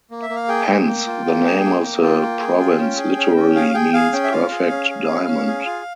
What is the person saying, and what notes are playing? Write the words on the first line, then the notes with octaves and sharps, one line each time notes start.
Hence the name of the province literally means "perfect diamond".
A#3
E5
A#3
F5
G#4 G5
A#3
A#3
F4
A#3
G#4
A#3
A#3
F4 G5
A#3
G#4
F4
C#4
G#4
C#4
C#4
G#4 F5
G#4 G5
G#4 F5
C#4 G5
E5
F4 F5
G#4
C#4
G#4
C#4
C#4
G#4
F4